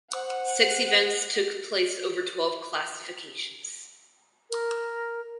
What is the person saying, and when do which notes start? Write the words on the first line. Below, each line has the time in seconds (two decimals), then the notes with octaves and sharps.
Six events took place over twelve classifications.
0.13 C5 F#5
4.50 A#4